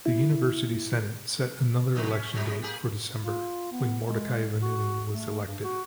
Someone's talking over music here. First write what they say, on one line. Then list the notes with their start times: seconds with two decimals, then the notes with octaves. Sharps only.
The University Senate set another election date for December, when Mordechai Vanunu was elected.
0.06 E4
1.95 B2 D3 F#3
2.08 C#4
2.32 B2 F#3 G3
2.62 A#3 G4 G#4
3.25 F4
3.72 B3
4.08 G#3
4.62 F#4
5.13 A3
5.45 G2
5.64 F#4